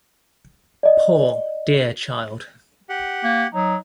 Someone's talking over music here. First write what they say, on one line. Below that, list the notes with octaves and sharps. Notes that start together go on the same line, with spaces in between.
Poor dear child!
D5 D#5
G4 F#5
A#3
F#3 D#4